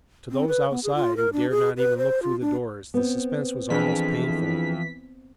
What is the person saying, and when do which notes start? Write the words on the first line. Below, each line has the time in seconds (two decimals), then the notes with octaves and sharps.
To those outside, who dared not even look through the doors, the suspense was almost painful.
0.31 C4
0.48 B4
0.71 B3
0.84 G#4
0.95 F4
1.17 A#4
1.33 D4
1.50 G#4
1.78 B4
1.98 C5
2.22 F4
2.41 D4
2.94 B3 C4
3.70 F2 E3 D4 G#4 B4 B6